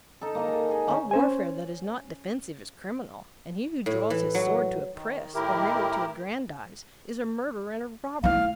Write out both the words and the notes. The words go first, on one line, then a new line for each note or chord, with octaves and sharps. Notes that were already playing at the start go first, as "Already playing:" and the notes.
All warfare that is not defensive is criminal; and he who draws his sword to oppress, or merely to aggrandize, is a murderer and a robber.
D#4 A4
A#3 D#5 A#5
G#4 A4
G#4 D#5
D#3 C#4 D#4
C#4 C5 G#5
A2
E3
F#3
D#3
A2 D#3 E4 G4 A#4
A3 E4 F5